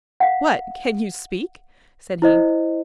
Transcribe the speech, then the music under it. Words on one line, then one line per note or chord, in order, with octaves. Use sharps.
'What! can you speak?' said he.
F5 F#5
E4 C5 D#5